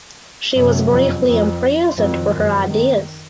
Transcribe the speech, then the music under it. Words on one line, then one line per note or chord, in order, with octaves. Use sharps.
She was briefly imprisoned for her ideas.
F#2 C3 F#3 C#4
F2
F2
F2 D#3 F#3 C4
F#2
D#3